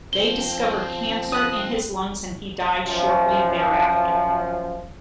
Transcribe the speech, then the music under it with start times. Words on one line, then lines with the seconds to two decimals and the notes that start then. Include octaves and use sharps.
They discovered cancer in his lungs and he died shortly thereafter.
0.13 F3 C4 G7
1.32 D#6 F#6
2.85 F#2 F3